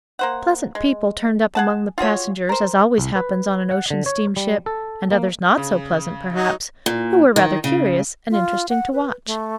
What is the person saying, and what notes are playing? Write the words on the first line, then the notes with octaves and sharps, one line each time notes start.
Pleasant people turned up among the passengers, as always happens on an ocean steamship, and others not so pleasant, perhaps, who were rather curious and interesting to watch.
A#3 C5 F#5
G#3
G#4 F#5 A5
F4 F#4 G#4 C#5
A#4 C5
C2
B4
F#5
D3
C#5
G3
A4
A#3
C#3
F#3 D#4
A#2
D#3
C#3
F4
F#5
B4
A3